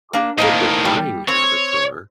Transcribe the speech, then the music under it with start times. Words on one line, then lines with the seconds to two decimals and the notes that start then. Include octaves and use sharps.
um, what their buying habits are,
0.13 A#3 D4
0.38 A2 D#3 A#3 C5 D#5
0.85 G3
1.28 C4 C#5